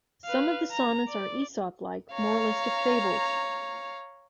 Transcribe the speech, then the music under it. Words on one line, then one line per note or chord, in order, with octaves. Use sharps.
Some of the sonnets are Aesop-like moralistic fables.
B4 F5
A#5
D5
C#5 F5 A#5